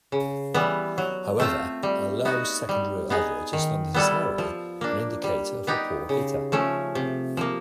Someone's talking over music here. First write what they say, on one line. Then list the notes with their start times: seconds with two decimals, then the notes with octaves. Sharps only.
However, a low secondary average is not necessarily an indicator of a poor hitter.
0.12 C#3
0.54 E3 G3 B3
0.98 F#3
1.40 A3 C4 F4
1.83 G3
2.25 B3 D#4 F#4
2.69 G3
3.10 B3 D#4 G#4
3.53 D#3
3.94 G3 B3 E4 A4
4.38 F3
4.81 A#3 D4
5.24 G3
5.67 B3 D#4 G4
6.09 C#3
6.52 F3 A3 C#4
6.95 C3
7.37 F3 A#3